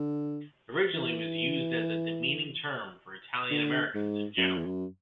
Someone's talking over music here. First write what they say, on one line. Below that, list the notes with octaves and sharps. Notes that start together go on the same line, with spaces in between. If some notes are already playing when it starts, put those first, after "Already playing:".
Originally, it was used as a demeaning term for Italian Americans in general.
Already playing: D3
E3
D3
G#2
F#2
E2
F#2